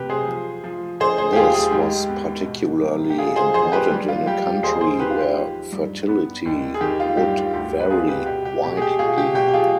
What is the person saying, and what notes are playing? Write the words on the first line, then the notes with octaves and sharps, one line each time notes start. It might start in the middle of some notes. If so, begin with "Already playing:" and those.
This was particularly important in a country where fertility would vary widely.
Already playing: F2 C3 G4 B4
G#4 C5
F3
F3
D3 G#4 C5
G#4 C5
G4
D#2 F4 G#4
F4 G#4
G#2 G4
B3
B2
C2
G4
D3 F4 G#4
G#4 C5
F2 G#4 C5
G4 B4
G3
F4
G3 G4
F4
D#2 G#4 C5
G#4 C5
D#3 G4 B4
F4
G4
F3
G2
B3
D#2
G#4
D#3 G4
F4
G2 G4
F4
D2 G4
B4
C4 F4 G#4
G4 B4
B2 G4
G4
B2 G4
G#4
G4
B2 F4 G#4
G4
B2 G4
G4
F4 G#4